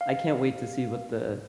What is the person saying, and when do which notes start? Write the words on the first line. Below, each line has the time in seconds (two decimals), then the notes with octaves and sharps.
I can't wait to see what the
0.01 F5